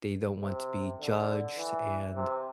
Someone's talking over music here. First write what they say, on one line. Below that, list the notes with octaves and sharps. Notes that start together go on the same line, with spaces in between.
they don't want to be judged, and
C3
D3
E3
C3